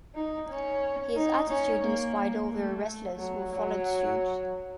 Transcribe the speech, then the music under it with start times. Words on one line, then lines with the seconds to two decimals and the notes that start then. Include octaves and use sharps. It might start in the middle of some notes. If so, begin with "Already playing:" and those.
His attitude inspired other wrestlers who followed suit.
0.15 D#4
0.49 C#4
1.16 D#4
1.49 C#4
1.84 A#3
2.51 A3
3.18 F#3
3.52 F#3